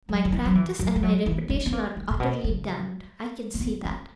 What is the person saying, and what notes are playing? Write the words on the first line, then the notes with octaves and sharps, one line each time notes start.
My practice and my reputation are utterly damned--I can see that.
F#3
F#3
E3
F#3
E3
F#3
G#3
F#3
E3
G#3
B3
A#3
G#3
A#2
B2
C#3
A#3
B3
C#4